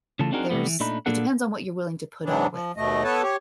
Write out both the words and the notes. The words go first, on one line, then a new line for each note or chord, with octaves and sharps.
there's it depends on what you're willing to put up with,
C#3 E3 A3 F4 A5
C4 D4 D#4 F#4 G#4 A#4
C3 G3 A3 B3
E3
A#2 A3 D4 D#4 B5
A#2 A#3 B3 D4 A4 F#5
G#2 C3 E3 F#3 B3 D4
F3
D#2 B2 A3 D#5
B3 A4 B4 C#5 A5
G4 C#5